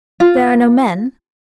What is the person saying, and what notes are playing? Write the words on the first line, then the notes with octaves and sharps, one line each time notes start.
"There are no men?"
F4